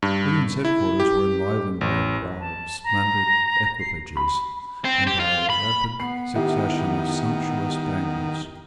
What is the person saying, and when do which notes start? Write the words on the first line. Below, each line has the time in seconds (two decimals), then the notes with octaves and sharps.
William's headquarters were enlivened by a crowd of splendid equipages and by a rapid succession of sumptuous banquets.
0.02 G2
0.65 E4
1.00 G4
1.81 A1
2.40 A5
2.84 A#5
3.79 C7
4.17 B5
4.85 C4
5.07 G4
5.20 F4
5.50 B5
6.00 B3 C7
6.36 D#3 E4 G4